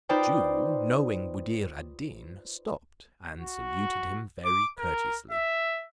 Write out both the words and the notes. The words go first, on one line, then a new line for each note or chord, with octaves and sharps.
The Jew, knowing Buddir ad Deen, stopped, and saluted him very courteously.
D#4 F4 B4 C5 D5 G5
F#4
D6
A#4
E5